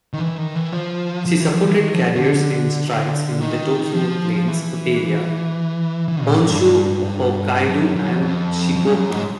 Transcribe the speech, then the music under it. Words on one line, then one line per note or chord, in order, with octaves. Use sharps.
She supported carriers in strikes in the Tokyo Plains area, Honshu, Hokkaido, and Shikoku.
D#3
E3
D#3
E3
F3
F3
E3
F3
E3
D#3
F3
C#3
D3
D3
D#3
F3
F3
E3
E3
A#2
A2
G2
F#2
F#2
F#2
F2
F2
F2
G2
F#2
G#2